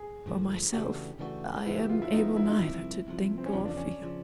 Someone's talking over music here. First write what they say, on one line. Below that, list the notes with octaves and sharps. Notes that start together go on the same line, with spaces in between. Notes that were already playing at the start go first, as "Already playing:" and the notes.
For myself, I am able neither to think or feel.
Already playing: G#4
G2 D3 F3 A3
C#3 E3 A3 D4 F#4 G4
C#3 E3 A3 D4 F#4
D2 D3 F3 G#3 B3 E4
G4
F4
E4
D2 D3 F3 G#3 B3 D#4
E4
D#4
C2 C3 F3 E4
C2 C3 F3
C4
C#4
E2 C#3 F3 D4
D4
C#4
C#3 F3